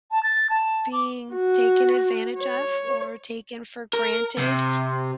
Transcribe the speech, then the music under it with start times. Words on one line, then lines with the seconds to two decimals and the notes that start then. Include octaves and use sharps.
being taken advantage of or taken for granted,
0.11 A5
0.23 A6
0.50 A5
0.93 D6
1.33 F#4
2.40 C#5
3.93 A#4
4.38 C3